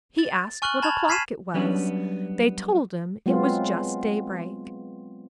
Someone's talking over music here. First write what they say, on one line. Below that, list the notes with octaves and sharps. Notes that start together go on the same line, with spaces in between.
He asked what o'clock it was; they told him it was just daybreak.
A6
G#5 C#6 F6 F#6 F#7
A5 B5 G#6 A6 F7 F#7
F6 G#6 B6 C7 D#7 E7
F#3 G3 B3 C#4 D4
F#3 G#3 B3 C4 F4